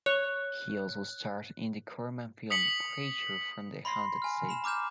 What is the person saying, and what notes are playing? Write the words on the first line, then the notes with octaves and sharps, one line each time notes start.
He also starred in the Corman film "Creature From the Haunted Sea".
C#5 F#6
D#6 B6 C#7 F#7
B5 C6 A#6 C7
G#5 F6
B5 E7
A#5 D6 F6 G6 E7